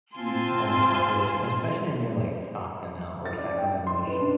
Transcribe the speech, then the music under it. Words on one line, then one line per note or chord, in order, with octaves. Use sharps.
huge homeless population- and especially near, like, Stockton now or Sacramento-ish.
C4 F4 G#5 A5 C6
A6
D5
G5
C6
B4
D4